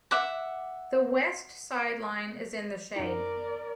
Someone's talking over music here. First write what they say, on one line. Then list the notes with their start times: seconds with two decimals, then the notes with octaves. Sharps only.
The west sideline is in the shade.
0.11 E5 F#5 D6
2.96 F#2 D#4 A#4 D5